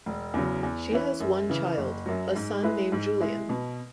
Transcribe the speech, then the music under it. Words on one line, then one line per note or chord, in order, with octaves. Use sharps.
She has one child, a son named Julian.
E1
E2 C#3 F#3
E2
E3 C#4 E4 B4
F#2
C#3 E3
F#1
F#2 F#3
G#2
G#3 E4 B4
G#2
G#3 E4
B2